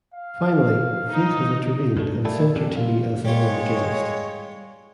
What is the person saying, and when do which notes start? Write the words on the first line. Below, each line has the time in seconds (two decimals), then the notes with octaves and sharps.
Finally, fate has intervened and sent you to me as an honoured guest.
0.14 F5
1.10 D#4
1.97 G2 D3 A3
2.25 G3 A3 A#3 D4 E4 A4
2.56 C2 F2 C#3 G3
2.77 F4
3.25 G3 G#3 F4 C#5